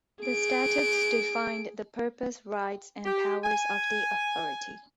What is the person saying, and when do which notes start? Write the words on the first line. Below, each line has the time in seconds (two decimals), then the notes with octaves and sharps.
The statutes define the purpose, rights and powers of the authority.
0.24 G#4 D7
3.06 G4
3.44 G#5